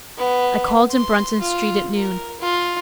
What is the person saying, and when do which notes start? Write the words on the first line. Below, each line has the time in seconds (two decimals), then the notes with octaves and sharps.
I called in Bruton Street at noon.
0.17 B3
0.91 C6
1.41 F4
1.96 A#4
2.40 F4